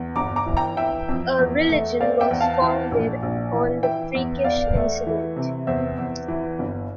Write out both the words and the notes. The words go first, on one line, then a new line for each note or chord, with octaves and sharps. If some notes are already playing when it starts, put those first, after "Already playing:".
A religion was founded on the freakish incident.
Already playing: E2
G1 A#5 D6
A#5 D6
E3
G5 A#5
E3 E5 G5
F2
E2
A3
C4 D5 F5
E5 G5
E2
F5 A5
E3
A#1
A#1
E3
E3 E5 G5
E2
E2 D5 F5
A3
E3
C3
E2 C5 E5
E2
E3
G1